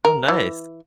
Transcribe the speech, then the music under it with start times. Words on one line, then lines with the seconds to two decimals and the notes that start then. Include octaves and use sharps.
Oh, nice.
0.05 A#4
0.28 E3